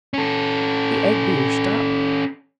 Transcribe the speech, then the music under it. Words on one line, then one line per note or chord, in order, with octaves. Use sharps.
The egg-beater stopped.
C#4 A4